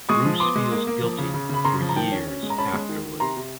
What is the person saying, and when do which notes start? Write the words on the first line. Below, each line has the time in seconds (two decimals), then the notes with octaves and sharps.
Bruce feels guilty for years afterward.
0.09 G#3 C#6 D#6
0.25 F3
0.40 B3 C6 D6
0.55 G#3
0.72 A#3
0.87 A#3
1.02 F3
1.18 C#3
1.34 C#3
1.49 C#3 B5
1.64 C#3 A#5 C6
1.80 F3
1.89 A#5
1.95 D#3 G5 A5
2.12 C#4
2.27 C#4
2.43 G#3
2.50 A#5
2.58 C#4 A5 B5
2.74 G#3
2.89 D#3
3.05 D#3
3.20 C3 A#5 C6
3.37 C3